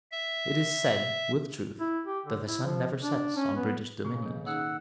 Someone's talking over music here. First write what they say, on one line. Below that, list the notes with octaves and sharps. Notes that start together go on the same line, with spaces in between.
It is said, with truth, that the sun never sets on British dominions.
E5
E4
G4
D3
E4
F3
D4
C#4
B3
A2 C#3 A#3
B2 D#3
D#4 G#4 F#5 E6